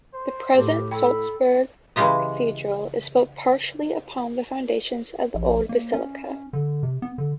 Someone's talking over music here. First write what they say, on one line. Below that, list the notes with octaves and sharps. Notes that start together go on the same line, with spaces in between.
The present Salzburg Cathedral is built partially upon the foundations of the old basilica.
C5
A2 G4 A5
A4 G5 B5
C#3 E3 G#3 G4 D#5
A#1
A#3
C#4
D3
C3
B3
D3